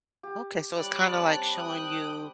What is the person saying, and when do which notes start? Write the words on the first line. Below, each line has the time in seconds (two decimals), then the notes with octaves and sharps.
Okay, so, it's kinda, like, showing you,
0.23 G4
0.76 G3 C#5 D5 F#6
1.12 C4 B4 A5
1.53 G5 D#6 F#6